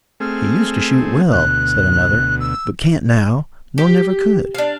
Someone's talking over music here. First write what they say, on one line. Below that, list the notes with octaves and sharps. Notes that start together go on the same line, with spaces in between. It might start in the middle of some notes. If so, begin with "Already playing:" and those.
"He used to shoot well," said another; "but can't now, nor never could."
A3 C4 G#4 F6
D2 B2 F#6
E6
G4
D4 F5